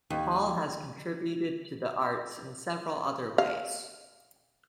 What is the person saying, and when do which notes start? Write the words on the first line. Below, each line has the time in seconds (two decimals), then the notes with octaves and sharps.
Hall has contributed to the arts in several other ways.
0.10 D#2
3.38 F5